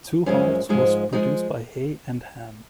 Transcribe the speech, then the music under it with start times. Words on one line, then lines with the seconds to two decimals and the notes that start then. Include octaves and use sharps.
"Two Hearts" was produced by Hay and Ham.
0.26 F#2 F3 G#3 C#4
0.69 G#2 F3 G#3
1.13 F3 G#3 D#4